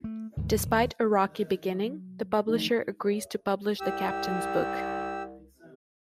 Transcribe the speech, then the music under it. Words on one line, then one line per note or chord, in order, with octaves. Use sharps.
Despite a rocky beginning, the publisher agrees to publish the Captain's book.
A3
D2 G#2 E3
D#1
F#3
E3 F3 A3 D#4
C2 G4 E6